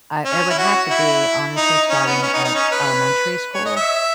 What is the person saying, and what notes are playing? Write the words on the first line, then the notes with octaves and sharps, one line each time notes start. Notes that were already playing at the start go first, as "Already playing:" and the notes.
I it would have to be honestly starting at elementary school
C#4
E4
F#4
E4
D#4
C#4
B3
C#4
D#4
D#4
C#4
B4
C#5
D#5
E5